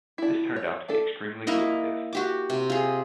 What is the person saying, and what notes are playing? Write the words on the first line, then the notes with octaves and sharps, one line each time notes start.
This turned out to be extremely lucrative.
D4 E4
C#5
A3 D4 A4
A#3 E4 A#4 D#5
F#4 G4 D6
C3
F4 G#4